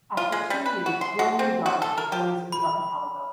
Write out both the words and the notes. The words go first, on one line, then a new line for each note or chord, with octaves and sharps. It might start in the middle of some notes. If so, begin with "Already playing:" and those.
After two years Grill moved on to the birds of the archipelago.
F4
G#3
G3
B4
F#4
C6
F#4
C4
F#4
A4
A#4
G4
B5